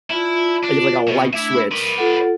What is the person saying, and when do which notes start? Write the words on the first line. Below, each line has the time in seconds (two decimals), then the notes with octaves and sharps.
I get, like, a light switch,
0.10 E4 F4 D5 A5
0.63 D4
1.07 B2
1.33 A3 D4 E4 E5 E6
1.71 D#4 A#4 B4 D5
1.98 F4 A4 F#5